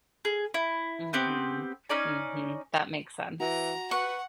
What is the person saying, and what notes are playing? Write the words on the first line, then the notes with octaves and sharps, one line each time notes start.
Mhm. Mhm. That makes sense.
G#4
E4
B3 C4 G4
C#4 D#4 D5 G#5
E3 F#4 A#5
B4 F#5 C#6